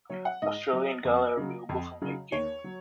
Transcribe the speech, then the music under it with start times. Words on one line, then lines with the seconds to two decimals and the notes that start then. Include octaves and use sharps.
Australian Gala are available from late January.
0.10 F#3 C#5
0.25 F#5
0.42 G#2 D#5
0.73 F#3
1.05 F2
1.37 C#3 F#3
1.69 F2
2.02 C#3 F#3
2.32 D#2 C#5
2.64 F#3